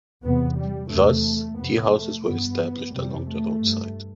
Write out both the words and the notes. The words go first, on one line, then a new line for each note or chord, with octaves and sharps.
Thus, teahouses were established along the roadside.
E2 C3 B3
G3
E2 C3 A3
F2 C3 B3
A3
G2 B3
F2 C3 G3
A3
G2